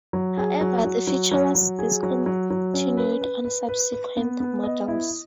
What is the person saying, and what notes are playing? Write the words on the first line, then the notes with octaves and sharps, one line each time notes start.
However, the feature was discontinued on subsequent models.
F#3
G#4
F#3
F#3
F#3
F#3
F#3
G#4
F#3
F#3
F#3
C#4
B4
B4
B4
B4
B4
B3
B3
D#5
E4